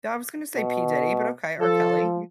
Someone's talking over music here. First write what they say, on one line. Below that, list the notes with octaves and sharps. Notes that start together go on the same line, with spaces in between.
I was gonna say P Diddy, but okay, R. Kelly.
B2
F3 A4